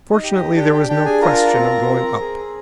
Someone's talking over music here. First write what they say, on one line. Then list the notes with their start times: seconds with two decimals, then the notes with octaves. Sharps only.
But fortunately there was no question of going up.
0.12 D#4 D#5
0.24 G4
0.34 D#4 D#5
0.55 D4 G4 G5
0.73 G4 G5
0.88 D4 G4 G5
1.05 G#4 G#5
1.21 F4 A#4 A#5
1.55 C4
1.87 C4
2.20 G#4